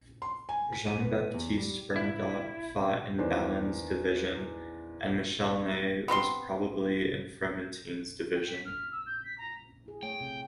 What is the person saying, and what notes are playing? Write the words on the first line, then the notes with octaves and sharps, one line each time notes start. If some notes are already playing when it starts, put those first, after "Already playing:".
Jean-Baptiste Bernadotte fought in Balland's division and Michel Ney was probably in Fromentin's division.
C6
G#5
B6
D#7
B3
E2
G3
E4
E2 D#3 D4 C5
B3 C4 A#4 C6
G5
B6
F6
E6
G6
B6
A#5
E4 G#4
A3 C#5 G5
C3